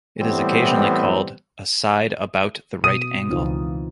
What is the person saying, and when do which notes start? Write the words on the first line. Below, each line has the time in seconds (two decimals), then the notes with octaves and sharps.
It is occasionally called a "side about the right angle".
0.21 A2 E3 G3 B3 C4
2.84 B2 D#6 D#7
3.29 C#2 E3 C4 D#4 F4